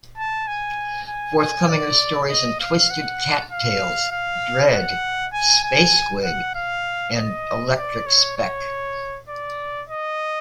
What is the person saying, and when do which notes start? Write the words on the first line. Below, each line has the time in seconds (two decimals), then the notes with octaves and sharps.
Forthcoming are stories in "Twisted Cat Tales", "Dred", "Space Squid" and "Electric Spec".
0.18 A5
0.48 G#5
1.08 G#5
1.38 G#5
1.69 D5
2.29 D#5
2.61 F5
2.90 F#5
3.52 F5
4.11 F5
4.73 F#5
5.33 G#5
5.64 G#5
6.24 F#5
6.55 F5
7.16 D#5
7.77 D5
8.06 C#5
8.37 C#5
9.29 D5
9.89 D#5